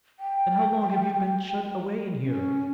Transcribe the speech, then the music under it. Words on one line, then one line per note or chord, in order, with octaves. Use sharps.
"And how long have you been shut away in here?"
G5
C#4